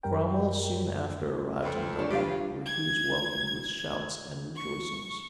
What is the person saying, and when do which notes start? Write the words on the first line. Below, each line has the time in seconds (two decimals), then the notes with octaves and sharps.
Cromwell soon after arrived in Dublin, where he was welcomed with shouts and rejoicings.
0.03 F#2 G3 A#4 G5
1.62 F2 B4
1.99 D4 G#4 C#5
2.10 G2 E3 F4 G4 F5
2.66 G#6
4.55 C#6